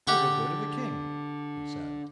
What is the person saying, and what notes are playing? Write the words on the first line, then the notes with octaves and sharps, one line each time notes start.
"I will go to the king," he said.
D3 G4 F#5 C#6